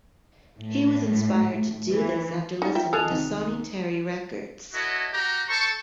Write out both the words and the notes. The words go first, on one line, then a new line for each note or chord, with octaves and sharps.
He was inspired to do this after listening to Sonny Terry records.
A2
E3
D#4
F4 E5 G5
G#4 A4 D#5 A5 D#6 F#6 A6 F7
C2 D#3
E4 F#4 A4 C#5 D#5
F#4 G4 A#5
A4 C5 A5 C#6